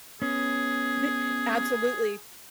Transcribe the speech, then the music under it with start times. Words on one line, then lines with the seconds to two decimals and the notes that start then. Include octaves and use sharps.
The absolutely.
0.22 B3 C#4 G#4